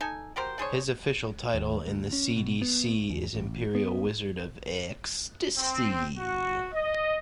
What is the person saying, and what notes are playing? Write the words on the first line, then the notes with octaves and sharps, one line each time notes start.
His official title in the cDc is Imperial Wizard of ExXxtasy.
D#4 A4 G#5
F#4 G4 A#4 C5
D4 G#4 C5 C#5
D#2
D2
C#4
B2
B3
E2
A1
B3
C4
F#4
D#5